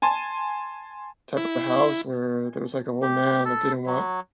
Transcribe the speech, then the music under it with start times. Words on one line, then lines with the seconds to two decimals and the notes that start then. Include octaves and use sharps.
type of house where there was like an old man that didn't want,
0.02 G#5 A5 C6
1.37 E4
3.02 G4
3.45 A4
3.87 F#3